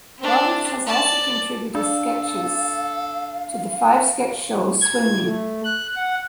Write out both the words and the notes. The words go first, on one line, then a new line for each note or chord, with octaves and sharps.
Roberts has also contributed sketches to the Five sketch show "Swinging".
C4 D4
D5 A5
D4 A4 F5
G#6
A3
F#6
F#5